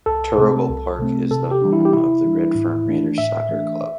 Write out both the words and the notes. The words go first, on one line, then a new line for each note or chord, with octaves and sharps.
Turruwul park is the home of the Redfern Raiders Soccer Club.
C2 A4
C3 A3 C4
C2
C3 A3 C4
C3 A4
G4
E3 G3 D4
E4
G4
C3 E4
E3 G3 D4
A2
E3 A3 D4
A2 E5
E3 A3 D4